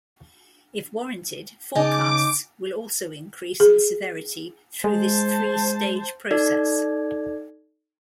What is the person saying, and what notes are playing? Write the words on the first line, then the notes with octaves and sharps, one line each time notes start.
If warranted, forecasts will also increase in severity through this three-stage process.
C#3 D#4 G#5 A5 D6
G#4
G#3 C5 A5
D#4 A4 D5 G#6